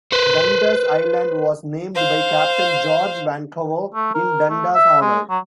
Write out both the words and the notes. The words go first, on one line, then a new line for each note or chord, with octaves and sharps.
Dundas Island was named by Captain George Vancouver in Dundas' honour.
B4 C5
C5 F5
A3
A#4
A3
E5
G#3
F#3